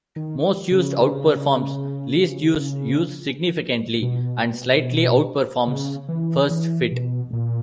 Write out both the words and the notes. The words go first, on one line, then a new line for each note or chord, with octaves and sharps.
Most Used outperforms Least Used use significantly, and slightly outperforms First Fit.
D#3
C#3
B2
C#3
E3
E3
B2
A#2